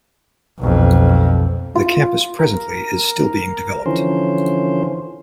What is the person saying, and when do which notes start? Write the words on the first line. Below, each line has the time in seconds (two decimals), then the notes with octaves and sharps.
The campus presently is still being developed.
0.59 B1 F2
1.76 F4
2.39 A#4
3.86 D3 E3 F3 C#4 C5